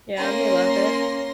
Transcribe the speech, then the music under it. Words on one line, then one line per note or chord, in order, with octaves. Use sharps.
Yeah, they love it.
A#3 C#4 C6 A#6